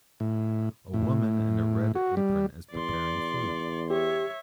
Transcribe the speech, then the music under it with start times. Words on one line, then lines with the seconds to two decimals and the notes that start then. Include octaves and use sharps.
A woman in a red apron is preparing food.
0.20 A2
0.94 A2
1.96 F#4
2.17 G3
2.73 E2 D5 C6
3.90 G4 C#5 E5